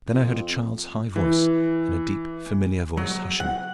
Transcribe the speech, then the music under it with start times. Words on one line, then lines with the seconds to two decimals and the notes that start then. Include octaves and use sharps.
Then I heard a child's high voice, and a deep familiar voice hushing it.
0.13 F2
1.16 E3
2.97 F#3
3.40 F#5